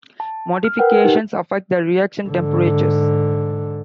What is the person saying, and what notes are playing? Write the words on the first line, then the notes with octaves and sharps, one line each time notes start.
Modification affects the reaction temperatures.
A5
F6
A#4 B4 F#5 G5
D#4 G4
G#2 D3